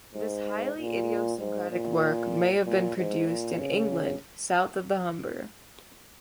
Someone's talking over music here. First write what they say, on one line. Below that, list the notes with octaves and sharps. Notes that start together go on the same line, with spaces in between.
This highly idiosyncratic work may have been produced in England south of the Humber.
G#2
A#2
G#2
A#2
A#2
G#2
A#2
C#3